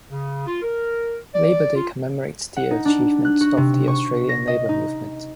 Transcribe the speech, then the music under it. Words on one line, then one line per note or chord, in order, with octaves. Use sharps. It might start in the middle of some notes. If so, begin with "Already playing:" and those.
Labour Day commemorates the achievements of the Australian labour movement.
C#3
F4
A#4
D5
F4
F#5
D#4
D4
F#6
F#4
C3
C#6
A#6
D#5
D#4